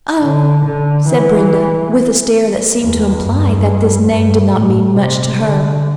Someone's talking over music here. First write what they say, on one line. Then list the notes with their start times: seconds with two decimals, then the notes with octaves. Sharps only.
"Oh," said Brenda, with a stare that seemed to imply that this name did not mean much to her.
0.21 D3
0.64 D3
1.08 E3
2.81 E2
3.23 G2
4.09 G2
4.53 A2
4.96 C3
5.39 D3